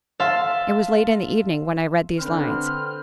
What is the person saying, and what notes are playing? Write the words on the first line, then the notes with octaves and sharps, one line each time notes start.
It was late in the evening when I read these lines.
E5 F5 A5 C6
D3 C4 B4 C5 F6